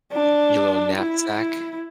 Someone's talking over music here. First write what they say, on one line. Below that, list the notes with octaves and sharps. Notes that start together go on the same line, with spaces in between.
I your little knapsack.
D4
E4
E4